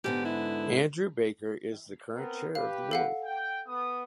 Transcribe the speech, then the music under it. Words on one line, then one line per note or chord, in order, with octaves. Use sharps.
Andrew Baker is the current chair of the board.
G#2 D3 B3 G4
E4
B3 C4 A#4
G4 B4 F5
A4 F5 F#5
G5
B3 D#6